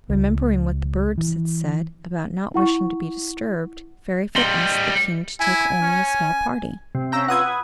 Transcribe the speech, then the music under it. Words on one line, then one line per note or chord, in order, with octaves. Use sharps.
Remembering what the birds had said about not wishing to be disturbed, Fairyfoot asked the King to take only a small party.
C#2
E3
E4 F#5 C#6
G3 D#4 C6 F#7 G7
E4 G#5
C#4
C3
C#4 F5 G5 A#5 E6
F4 B4 F#5 D#6 E6 G#6
B5